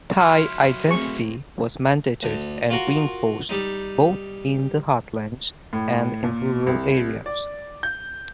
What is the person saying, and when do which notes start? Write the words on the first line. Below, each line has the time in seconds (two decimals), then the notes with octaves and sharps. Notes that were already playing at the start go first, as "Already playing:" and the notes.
Thai identity was mandated and reinforced both in the heartlands and in rural areas.
0.18 F#3 E4 C6 F6
0.88 A3 A#3 C4 G#4 C#6
2.23 D2
2.70 F4 F#4 A#4
3.49 G3 D#4
5.73 A2
6.24 A#2
6.67 C2
7.26 D5
7.83 G6